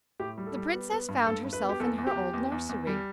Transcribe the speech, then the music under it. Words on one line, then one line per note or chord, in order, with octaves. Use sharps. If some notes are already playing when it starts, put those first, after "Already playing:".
The princess found herself in her old nursery.
A2 G4
G3
A4
G3
B3
B3
G2
G2 A4
G2
B4
B3
G4
E2 A4
E2
G4
E2
E2
E2
E2
G3